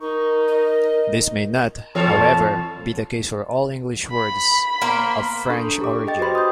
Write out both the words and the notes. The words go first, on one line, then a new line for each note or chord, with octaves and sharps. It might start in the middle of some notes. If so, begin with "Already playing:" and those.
This may not, however, be the case for all English words of French origin.
D#4 A#4 C#6
D#5
F2 E3 A4 C#5 A5
B5
A#3 A#4 C5
D4 A4 C#6
G4 D6
G#4 D#5 G5 A6
F#4 G4 B4 C5 B5 C6
D#6 G6